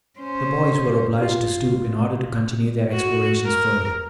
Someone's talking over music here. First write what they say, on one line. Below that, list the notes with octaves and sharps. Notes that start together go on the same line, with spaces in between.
The boys were obliged to stoop in order to continue their explorations further.
C#4 C5
F4
F#4
A#4